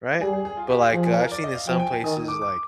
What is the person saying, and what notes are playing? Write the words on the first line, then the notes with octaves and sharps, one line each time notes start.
right? But, like, uh, I've seen in some places, like,
G3 G#4
G#4
G#4
F4
G4
F4
F3 G#4
G#4
A#4
D5
D#5
F5
F3 G5
G#5
G5
G#5
D#3 D#6
D#6
D6
D6